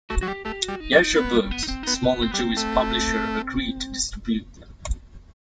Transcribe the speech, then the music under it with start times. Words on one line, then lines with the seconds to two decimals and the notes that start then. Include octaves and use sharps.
Yashar Books, a smaller Jewish publisher, agreed to distribute them.
0.10 A3 F#4
0.21 F#3 F#4
0.27 G3 G4
0.45 A3 G4
0.63 F#4
0.68 G3
0.80 D#4
0.92 G3
0.98 D#4
1.16 B3 C4
1.28 A3
1.33 G3
1.51 B3
1.63 D#4
1.68 C4
1.83 B3 D#4
1.93 C4
2.04 B3
2.22 C4
2.31 G3 B3
2.39 C4
2.57 A3